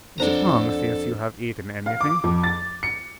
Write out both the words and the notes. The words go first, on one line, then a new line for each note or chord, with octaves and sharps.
"Is it long since you have eaten anything?"
F2 D3 D4 A4 C5 A#5
F5
D6
F2
A6
C#7